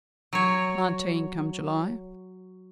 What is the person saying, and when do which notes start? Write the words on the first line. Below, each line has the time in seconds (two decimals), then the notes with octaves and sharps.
'Nineteen, come July.'
0.33 F#3 C#5